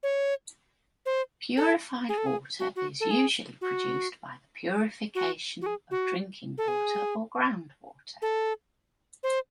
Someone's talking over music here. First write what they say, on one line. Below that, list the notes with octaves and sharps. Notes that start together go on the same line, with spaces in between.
Purified water is usually produced by the purification of drinking water or ground water.
C#5
C5
A4
G#4
A4
G#4
F#4
F#4
A4
G#4
F#4
F#4
F#4
G#4
F#4
A4
G#4
A4
C5